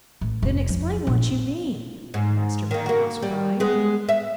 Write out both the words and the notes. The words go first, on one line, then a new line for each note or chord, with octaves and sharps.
"Then explain what you mean!" Master Meadow Mouse cried.
A1
F1
F3
A#1
G#2
D#3 A#3
A#3 F#4
G3
G#3 B3
E5